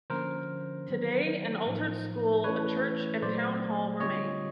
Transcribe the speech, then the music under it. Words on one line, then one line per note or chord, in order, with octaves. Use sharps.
Today, an altered school, a church and town hall remain.
D3 F3 A#3 C#4 A#4 C5
D#3 F#3 B3
A2 F3 A#3 D#4
E3 A3 C#4 E4 B4 C#5
A#2 F#3 A3 C5 D5
D3 G3 C4 F4 C#5 D#5